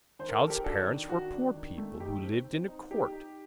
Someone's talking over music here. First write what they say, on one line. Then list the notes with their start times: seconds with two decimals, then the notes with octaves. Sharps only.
Child's parents were poor people who lived in a court.
0.19 D#3 C5
0.29 A#4
0.39 D#3 A4
0.50 G4 A#4
0.64 D4 F#4 A4
0.87 D#3
1.09 D4 F#4
1.32 D4
1.55 D#3
1.78 A3
2.00 D#4 G4
2.22 C4
2.45 C4
2.68 D#4
2.90 D#4 G4
3.12 D#4